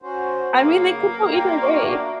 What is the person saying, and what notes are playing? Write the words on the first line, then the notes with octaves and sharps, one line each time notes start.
I mean, they could go either way,
C#4 F#4 C5
C#3 F#3 A#3 B3
G3 F4 G5
D4 F#4 C#6 D6 D7
D5 E5